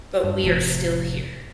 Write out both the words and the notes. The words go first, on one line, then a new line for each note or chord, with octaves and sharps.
But we are still here.
G2
F1 A2 C3 F3